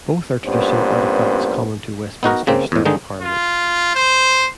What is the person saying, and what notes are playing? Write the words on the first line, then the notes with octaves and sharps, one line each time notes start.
Both are traditional artifacts common to Westminster style parliaments.
A1 G2 A#2 B3 C#4 C5
B3 D#4 F#4 A#4
C#3 A#3 C4
E2 A2
D3 D#3 G#3 D#4
F4
C5